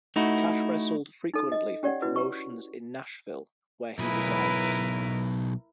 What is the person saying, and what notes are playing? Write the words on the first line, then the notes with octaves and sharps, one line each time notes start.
Kash wrestled frequently for promotions in Nashville, where he resides.
A3 D#4 E4 F#4
D#4 A4
D#5
C#4 G4 C#5 D5 F#5
E4 F#4 B4
G4 C#6
B1 E4 G#4 A#4 B4